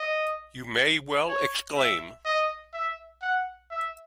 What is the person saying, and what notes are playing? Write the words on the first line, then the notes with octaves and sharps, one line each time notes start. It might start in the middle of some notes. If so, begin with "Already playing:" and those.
You may well exclaim.
Already playing: D#5
C#5
E5
D#5
E5
F#5
E5